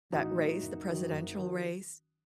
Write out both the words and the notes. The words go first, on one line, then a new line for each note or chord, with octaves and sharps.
that race the presidential race
A1 D#4 F#4
A2 F#3
F#1
F#2 D#3 F#3
F#1
D#3 F#3